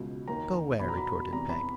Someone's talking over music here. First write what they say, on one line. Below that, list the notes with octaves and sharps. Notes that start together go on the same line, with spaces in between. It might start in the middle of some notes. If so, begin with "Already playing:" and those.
'Go where?' retorted Peg.
Already playing: C#2 B2
D#2 D#3 A#5
E2 B2 B5
A#5
B5
E2 C3 E3 A#5
B5